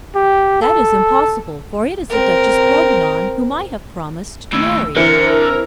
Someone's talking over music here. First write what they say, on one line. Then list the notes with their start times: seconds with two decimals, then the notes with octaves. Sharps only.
"That is impossible; for it is the Duchess Grognon, whom I have promised to marry."
0.15 G4
0.62 A4
2.10 C4 A#4
4.53 D#2 A2 E6
4.97 D3 E3 C4 E4 A#4 C#7
5.46 E6